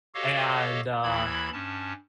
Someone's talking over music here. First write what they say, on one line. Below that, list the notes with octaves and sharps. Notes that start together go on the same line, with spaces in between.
and, uh,
F#4 G4 A4 C#5 D#5 F5
D#2 E3 E4 B5 G#6
G2 C#4 A5